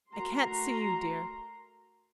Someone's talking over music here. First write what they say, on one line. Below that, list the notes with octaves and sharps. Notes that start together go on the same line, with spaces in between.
I can't see you, dear!
A3 F#4 A#4 A#5 C6